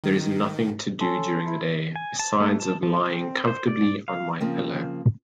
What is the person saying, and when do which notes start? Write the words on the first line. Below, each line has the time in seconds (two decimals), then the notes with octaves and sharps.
There is nothing to do during the day besides of lying comfortably on my pillow.
0.04 D#3
1.01 C#4 A4 A5 C6
1.45 E4
1.96 G#5
2.19 A5
2.40 A3
2.60 A5
2.83 F3
3.00 C4
3.47 C5
3.67 D5
4.08 F5
4.40 C#3 F3 A#3 C4